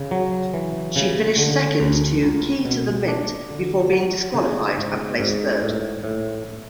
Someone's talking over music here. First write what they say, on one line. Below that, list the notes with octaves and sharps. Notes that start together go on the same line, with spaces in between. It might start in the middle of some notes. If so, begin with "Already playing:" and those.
She finished second to Key to the Mint before being disqualified and placed third.
Already playing: C#3
F#3
E3
C#3
D3
D2
C#2
B2
D4
D3
F#3
C#3
G#2
G#2
A2
A2